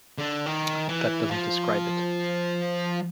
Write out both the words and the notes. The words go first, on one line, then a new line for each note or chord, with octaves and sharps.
That doesn't describe it.
D3
D#3
E3
F3